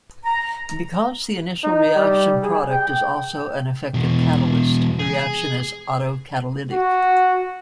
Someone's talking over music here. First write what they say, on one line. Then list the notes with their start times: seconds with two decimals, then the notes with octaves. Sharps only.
Because the initial reaction product is also an effective catalyst the reaction is autocatalytic.
0.25 A#5
1.64 D#4
1.96 G3
2.43 G#4
2.72 G5
3.94 E2 B2
4.99 G#4
6.71 F#4